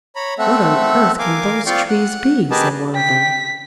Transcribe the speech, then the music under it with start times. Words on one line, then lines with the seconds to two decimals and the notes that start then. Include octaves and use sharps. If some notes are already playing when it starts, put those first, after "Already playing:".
"What on earth can those Trees be?" said one of them.
0.16 C#5 A#5 B5
0.39 A3 C4 A4 E5 F#5
1.19 A#4 F5 G#5 D6
1.67 C4 F4 D5 F5 G5 C#6
1.89 F#5
2.51 G4 G#4 A#4 B4 D#5 A5
2.95 G5 B6